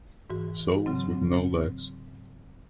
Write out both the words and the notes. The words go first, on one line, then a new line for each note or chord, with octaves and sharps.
Souls with no legs.
G#2 E3 F#4
C#3 F#3 C4